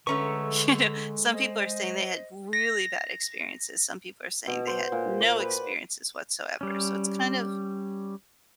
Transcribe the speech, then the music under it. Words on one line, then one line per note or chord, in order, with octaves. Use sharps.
you know, some people are saying they had really bad experiences, some people are saying, "They had no experiences whatsoever," so it's kind of
D3 G#3 A3 C#4 B4 A#5 C#6
C5 D#5
A#6
B2
C5
A#2
D5
B4
G3 C#4